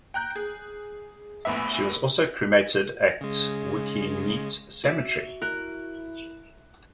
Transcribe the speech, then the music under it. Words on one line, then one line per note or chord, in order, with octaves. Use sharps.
She was also cremated at Waikumete Cemetery.
G5 A#5 F#6 G6
G#4
A#1 E2 A2 B3 E5
C#3 G#3
F#4 D5 E5
E4 A#4 F#6